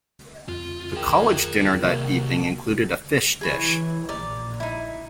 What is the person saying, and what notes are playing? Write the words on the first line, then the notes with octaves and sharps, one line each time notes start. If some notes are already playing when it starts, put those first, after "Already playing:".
The college dinner that evening included a fish dish.
F2 F4
D#3 F4 G#4 G5
C2 A#3 F#4 A#4
E3 G#4 B4 C#5
A#1 A#4 D5
D#4 E4